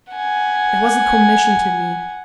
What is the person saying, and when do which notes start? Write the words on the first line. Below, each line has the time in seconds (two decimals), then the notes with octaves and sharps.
It was a commission to me!
0.13 F#5 G#5